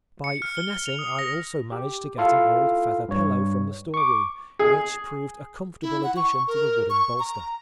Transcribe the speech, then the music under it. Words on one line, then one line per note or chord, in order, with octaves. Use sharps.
By finessing I also managed to get an old feather pillow from the store-room, which proved a comfortable addition to the wooden bolster.
C#7
F6
G7
F7
D#6
A#6
G4
E4 F4 A4 F5
G2 C#5
C#6 D6
G#4
E4
F#5
C#6
A#4
C#6
A#5